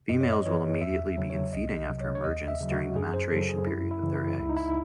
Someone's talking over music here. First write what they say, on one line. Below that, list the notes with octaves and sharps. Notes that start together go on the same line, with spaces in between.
Females will immediately begin feeding after emergence during the maturation period of their eggs.
F#2 D#5
C#5
D#5
E3 C#5
E2 E5
C#3 F#3
C#5
C2 D#5
D#5
C3 F#3
C#5
C#5
D#2 D#5
E5
C#3 F#3
F#4
F#2 G#4
C5
C#3 F#3 A4
G#4
F#2 E4
E4
C#3 E3
E4
C#2 E4
D#4
E4